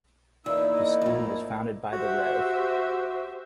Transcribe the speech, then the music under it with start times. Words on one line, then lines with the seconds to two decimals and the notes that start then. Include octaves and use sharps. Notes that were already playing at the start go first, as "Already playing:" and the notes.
The school was founded by the Rev.
0.46 E2 A#3 D#4 E4 E6
0.73 D#5
1.02 F2 A2
1.29 D5
1.93 F#4 G4 C5 E5